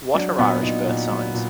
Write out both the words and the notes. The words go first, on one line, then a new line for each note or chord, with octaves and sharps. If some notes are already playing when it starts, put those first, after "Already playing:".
What are Irish Birth Signs?
F#3 D4
A#2 B3
A#2 D#4
A#2
F#3
A#2